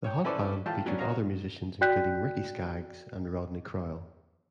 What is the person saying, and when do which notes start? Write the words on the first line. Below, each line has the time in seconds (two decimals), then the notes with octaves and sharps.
The Hot Band featured other musicians including Ricky Skaggs and Rodney Crowell.
0.04 C#5 G5
0.25 C#4 E4 A4 B4 C5 D5
0.66 A1 A3 F4 G5 A5
0.86 F#3 B3 C#4 D4
0.99 F#4 C#5 D#5 F5 A#5
1.81 F#4 D5 G5 F#6 G6 B6